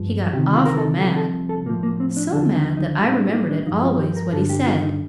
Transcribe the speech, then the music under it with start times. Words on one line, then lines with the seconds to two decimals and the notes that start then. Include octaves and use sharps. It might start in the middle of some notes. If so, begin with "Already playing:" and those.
He got awful mad--so mad that I remembered it always--what he said.
Already playing: G2 F3
0.32 D2 C3 D#3 G4
0.55 F4
0.66 A#4
0.77 A4
0.99 C2 C3 F3 A4
1.16 A4
1.49 A4
1.66 A2 A#3
1.70 F3
1.83 A#3
2.00 C4
2.17 D4
2.32 D#2 D3 F3 D4
2.55 D#4
2.77 D#4
3.00 G3 F4
3.03 A2
3.11 D#4
3.16 D4
3.29 F4
3.33 D#4
3.50 D4
3.66 G2 F3 D#4
3.83 F4
3.99 G4
4.16 A#4
4.33 G2 D3 G3 A4
4.50 G4
4.66 F4
4.83 D#4